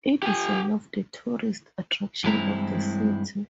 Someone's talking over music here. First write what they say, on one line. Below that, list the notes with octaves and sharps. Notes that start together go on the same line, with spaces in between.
It is one of the tourist attraction of the city.
G4 G#5
G2 E3 G#3 C4 E4 A#5